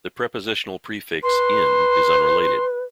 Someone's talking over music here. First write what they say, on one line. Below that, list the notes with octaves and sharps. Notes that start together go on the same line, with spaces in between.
The prepositional prefix "in-" is unrelated.
B4 C6